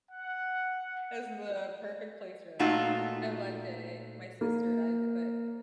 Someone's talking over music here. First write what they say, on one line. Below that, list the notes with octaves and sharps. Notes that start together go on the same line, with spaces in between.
is the perfect place for 'em, and one day, my sister and I put
F#5
A#2 A3 D#4 F4 F#4
A#3